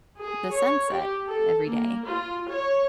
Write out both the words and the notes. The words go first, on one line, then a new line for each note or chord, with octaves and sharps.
the sunset every day.
G#4
C#5
G4
A4
A#3
F4
C#5